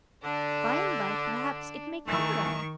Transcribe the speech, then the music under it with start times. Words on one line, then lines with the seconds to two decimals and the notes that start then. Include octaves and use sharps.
By-and-by, perhaps, it may come round.
0.24 D3 D4
2.07 D#3 E3 A3 C#6